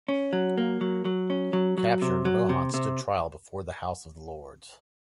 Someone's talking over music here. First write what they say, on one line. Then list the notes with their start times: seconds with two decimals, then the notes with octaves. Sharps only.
Captured, Mohun stood trial before the House of Lords.
0.08 C#4
0.33 F#3
0.58 A#3
0.81 F#3
1.05 F#3
1.30 C#4
1.53 F#3
1.78 F#3
2.02 C3
2.25 F#3
2.49 C3
2.74 C3